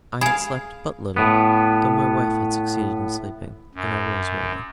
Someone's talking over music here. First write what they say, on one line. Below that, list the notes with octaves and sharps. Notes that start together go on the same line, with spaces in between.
I had slept but little, though my wife had succeeded in sleeping, and I rose early.
G#4 F5 G#5 B5
A2 B3
F#2